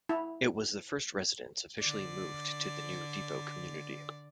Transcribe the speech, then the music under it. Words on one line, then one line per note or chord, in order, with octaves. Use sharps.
It was the first residence officially moved to the new depot community.
E4
D3 D5